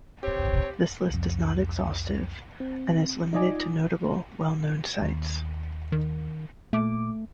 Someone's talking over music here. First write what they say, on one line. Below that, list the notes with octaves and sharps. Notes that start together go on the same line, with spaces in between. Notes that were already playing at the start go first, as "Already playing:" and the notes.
This list is not exhaustive, and is limited to notable, well-known sites.
C4 G4 C#5
C2 F2
C4
D#4 F4 D5 D#5 G#5 D6
D#2
D#3
A#2 A3 D6